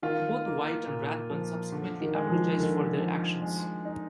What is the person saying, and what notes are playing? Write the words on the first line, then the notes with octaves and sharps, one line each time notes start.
Both White and Rathbun subsequently apologized for their actions.
D#3 F4
A#3
A#2
F3
D3
D#3
G#3
F3
D3 D#3
F3
G#3
D#4